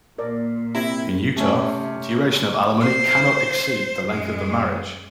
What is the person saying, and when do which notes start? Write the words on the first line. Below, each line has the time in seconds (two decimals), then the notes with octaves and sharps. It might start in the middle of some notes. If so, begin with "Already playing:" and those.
In Utah, the duration of alimony cannot exceed the length of the marriage.
0.18 A#2 A#4 D5
0.75 C3 E4 A#5
1.36 C3 A3 C#4
2.80 C5
4.06 F#2 G#3